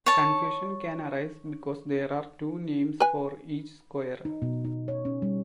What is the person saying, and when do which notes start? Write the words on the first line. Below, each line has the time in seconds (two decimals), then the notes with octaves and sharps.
Confusion can arise because there are two names for each square.
0.06 C#5 A5
3.00 B4 G#5
4.25 D#4
4.42 B2
4.65 D#4
4.88 C#5
5.05 C#4
5.22 G3